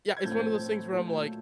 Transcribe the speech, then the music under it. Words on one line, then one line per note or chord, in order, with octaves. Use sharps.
Yeah, it's one of those things where I'm like,
G#6
A2 F3 A3 C4 G6
A#2 F#3 A3